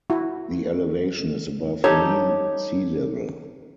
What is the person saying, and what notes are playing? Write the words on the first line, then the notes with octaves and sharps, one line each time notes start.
The elevation is above mean sea level.
E4 F#4
D#4 G4 A4 C#5